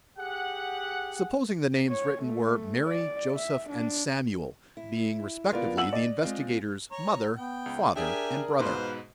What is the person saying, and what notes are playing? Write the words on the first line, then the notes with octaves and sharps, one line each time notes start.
Supposing the names written were Mary, Joseph, and Samuel, being, respectively, the investigator's mother, father, and brother.
G4 G#4 F#5
C#5
A3
D5
E5
D4
E4
D3 B3 F4 A#4 D5
E2 G#2 F#5 E6 F#7
D5 D#5
G#3 C4 F4
C#5 A#5
B3 G5
C#2
D4 G4 G#4 A#4 D5 E5 G#5
G#2 B2 F4 B4 C5